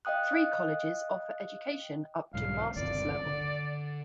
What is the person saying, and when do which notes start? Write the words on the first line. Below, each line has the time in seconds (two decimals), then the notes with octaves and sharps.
Three colleges offer education up to Master's level.
0.05 D#5 F5 G5 D#6 F#6
2.34 B1 G#2 D3 F5
2.76 G1 D#2 C3 D5
3.26 D3